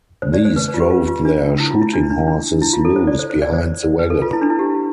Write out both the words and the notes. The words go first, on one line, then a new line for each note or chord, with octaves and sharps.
These drove their shooting-horses loose behind the wagon.
C5
D5
C5
B4
B4
F4
G4
F4
F4
D4
E4
F4
E4
D4
D4
D4
E4
F4
A4
C5
D5
C5
C5
D5
C5
B4
A4
F4
E4
D4
E4
G4